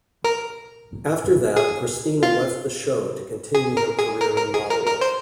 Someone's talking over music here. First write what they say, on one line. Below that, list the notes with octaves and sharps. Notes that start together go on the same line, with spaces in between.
After that, Christina left the show to continue her career in modeling.
A#4
G#4
F4
G#4
A#4
G#4
A#4
A#4
G#4
A#4
A#4
C5